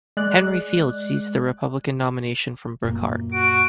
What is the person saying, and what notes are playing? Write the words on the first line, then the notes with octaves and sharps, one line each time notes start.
Henry Field seized the Republican nomination from Brookhart.
G#3 D5 F#6
F#2 A#2 A#3
F#4 D7